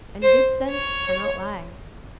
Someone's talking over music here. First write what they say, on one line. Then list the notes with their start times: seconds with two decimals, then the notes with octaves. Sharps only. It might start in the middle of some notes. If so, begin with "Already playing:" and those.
And good sense cannot lie.
0.23 C5
0.69 C#5